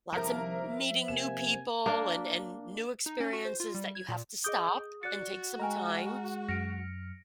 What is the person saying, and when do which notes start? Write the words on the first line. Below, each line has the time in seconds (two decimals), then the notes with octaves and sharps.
lots of m meeting new people and and new experiences that you have to stop and take some time
0.13 C2 D#3 F3 A#3 A#4 E5 A#5
1.08 C3 A#3 G#5 E7
1.86 A#3 D4
3.06 D#4
3.20 C#4
3.33 F#4
3.45 C5
3.60 F4
3.75 G3
3.95 G#6
4.09 A#2
4.44 G#4 D#5 D6 D#6 G6
5.03 F#4 D5 F#6 A6 C#7
5.60 G#3 D#5 G5 G#5 A#5 F6
6.49 F#2 F6 A#6 C#7 D7